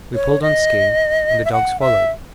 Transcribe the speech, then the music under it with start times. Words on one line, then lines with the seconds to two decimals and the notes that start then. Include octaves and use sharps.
We pulled on ski and the dogs followed.
0.15 C#5
0.42 D#5
1.45 E5
1.52 F#5
1.80 E5